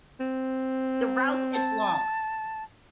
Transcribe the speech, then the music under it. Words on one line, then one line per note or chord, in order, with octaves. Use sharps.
The route is long.
C4
A5